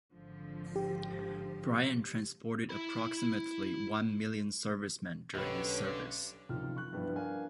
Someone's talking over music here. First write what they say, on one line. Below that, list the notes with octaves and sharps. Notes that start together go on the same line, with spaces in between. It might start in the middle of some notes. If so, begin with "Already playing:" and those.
Bryant transported approximately one million servicemen during this service.
G#1 D3 F3
G4
E4 B5
B1 D3 C#4 G4 B4 C#5
F#1 C3 D#3 F3 F4 F6
C#6 F#6
G2 F3 G3 B3 E4
D4 A#4 B4 F5 G#5